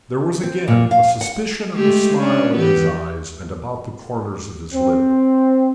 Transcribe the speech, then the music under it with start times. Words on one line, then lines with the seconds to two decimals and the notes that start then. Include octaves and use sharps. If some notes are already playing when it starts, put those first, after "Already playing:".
There was again a suspicion of a smile in his eyes and about the corners of his lips.
0.43 C4
0.68 A#2
0.91 F5
1.21 F#5
1.74 G#3 A3 G4
2.16 C#4 D4
2.53 E3 B3 G4
4.74 C4